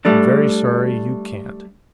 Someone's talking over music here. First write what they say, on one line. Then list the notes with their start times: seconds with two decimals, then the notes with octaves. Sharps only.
"I am very sorry you can't."
0.05 G3 A3 D4